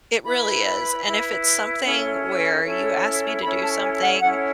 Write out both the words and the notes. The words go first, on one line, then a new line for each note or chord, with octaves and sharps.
It really is. And if it's something where you ask me to do something,
E4 B4 B5
E4 B4
C#4 E4 A4 C#5
C#4 E4 A4 C#5
C#4 E4 A4 C#5 B5
A5
G#5
F#5
C#4 E4 A4 C#5 F#5